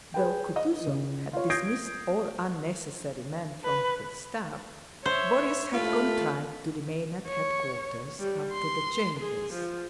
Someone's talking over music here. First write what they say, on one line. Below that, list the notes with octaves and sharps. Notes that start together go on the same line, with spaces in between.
Though Kutuzov had dismissed all unnecessary men from the staff, Boris had contrived to remain at headquarters after the changes.
G#4 B4 G5
D#5
C#3
F4 C#5
D#6 G6 G#6 A#6 C7 D7
B4
C5 C#5 E5
A2 C3 A3 F4 B5
C#5
G3
C6
G#4
F3